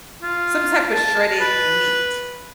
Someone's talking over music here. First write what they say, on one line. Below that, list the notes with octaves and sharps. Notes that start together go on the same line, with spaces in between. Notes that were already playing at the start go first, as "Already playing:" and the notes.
Some type of shredded meat,
F4
A5
B4